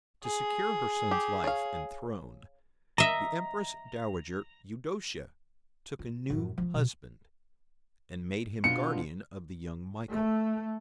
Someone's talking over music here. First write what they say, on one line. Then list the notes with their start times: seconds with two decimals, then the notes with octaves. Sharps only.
To secure her son's life and throne, the Empress-dowager Eudocia took a new husband, and made him guardian of the young Michael.
0.25 G#4
1.11 G4
1.44 C#5 F5
2.98 D#5 E5 A#5
5.99 F4
6.30 F#2 A2
6.58 F3 F4
6.74 B2
8.64 B2 D4 F4 C#7
10.09 A3